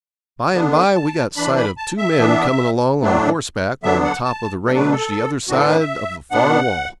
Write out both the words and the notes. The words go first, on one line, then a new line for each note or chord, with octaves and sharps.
By and by we got sight of two men coming along on horseback on the top of the range the other side of the far wall.
D3 B3 D4
A5
E3 D4 B5
B5
A5
E5
E3 B3 D4
A2 F#3 A3 D4
D3 F#3 B3 D4 E5
F#5
A5
B2 F#3 A3 D4 A4
B4
A4
A2 E3 B3 D4 F#4
A4
B4
E5
B2 B3 D4 F#5